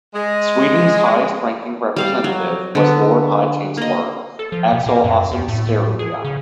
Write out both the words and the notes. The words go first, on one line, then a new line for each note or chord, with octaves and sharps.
Sweden's highest ranking representative was Lord High Chancellor Axel Oxenstierna.
G#3
G3 F5 D6
F#3
D3 B3
A#3 D#5
A4
F3
B2
A#2
F#2
F2
A2
A2
G#4
C#3